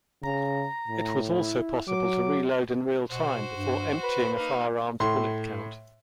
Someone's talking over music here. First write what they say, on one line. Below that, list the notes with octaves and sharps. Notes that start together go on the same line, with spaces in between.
It was also possible to reload in real-time before emptying a firearm's bullet count.
C#3 A#5
A2
E4
F#3 D6
B2 F#4 C5
G2
B4
A#3 D#4
A2 C6